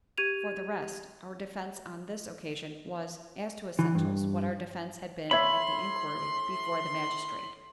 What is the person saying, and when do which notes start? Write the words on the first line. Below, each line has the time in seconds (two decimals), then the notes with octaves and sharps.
For the rest, our defense on this occasion was, as to essentials, what our defense had been at the inquiry before the magistrate.
0.18 G4 G#6 D#7 F7
3.79 E3
3.95 G2
5.31 A2 C#5 E5 B5 C6 G#6